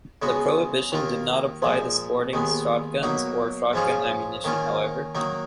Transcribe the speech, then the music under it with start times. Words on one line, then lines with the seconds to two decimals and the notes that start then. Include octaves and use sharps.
The prohibition did not apply to sporting shotguns or shotgun ammunition however.
0.22 C#3 G#3 B3 F#4
0.92 D#2 D#3 A#3 F4
1.62 A#2 F3 G#3
2.33 D#2 D#3 G#3 B3
3.03 B2 F#3 A#3 D#4
3.73 G#2 F3 G#3 C#4 F4
4.44 D#3 A#3 C#4 F4
5.15 D#3 F#3 A#3 D#4